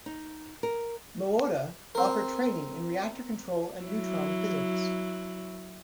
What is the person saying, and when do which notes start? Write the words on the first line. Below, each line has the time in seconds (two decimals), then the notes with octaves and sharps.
Moata offered training in reactor control and neutron physics.
0.06 D#4
0.63 A#4
1.95 C4 A#4
3.81 F#3 E4